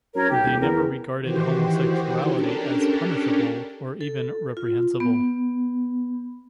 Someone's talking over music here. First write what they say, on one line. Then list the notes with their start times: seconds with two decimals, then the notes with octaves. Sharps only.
They never regarded homosexuality as punishable or even reprehensible.
0.15 F#2 A#4 C#5
0.30 B1 G4
0.45 D#1
0.61 E2 A#4
1.21 D#3 E3 F#4 G4 C5
2.33 C#4 D4 G4 A4 A#4
4.01 A4
4.57 F4
5.00 B3